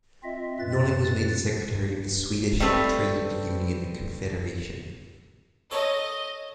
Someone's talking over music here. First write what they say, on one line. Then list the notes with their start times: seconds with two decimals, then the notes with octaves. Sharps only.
Norling was made the secretary of the Swedish Trade Union Confederation.
0.24 C4 F4 D#5 E5
0.60 F#2 A#2 B4 A6
2.60 G3 A3 C4 B4
5.71 A4 C#5 D#5